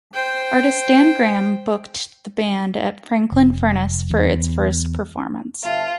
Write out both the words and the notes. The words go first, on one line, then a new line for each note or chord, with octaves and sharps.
Artist Dan Graham booked the band at Franklin Furnace for its first performance.
C5 G5
F1
E2
G1 F4 E5 A5